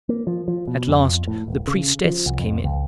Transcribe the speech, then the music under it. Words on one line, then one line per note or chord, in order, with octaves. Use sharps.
At last the priestess came in.
A#3
F3
F3
B2
F2
A2
D#1
C#3
F3
C2
F2
C#2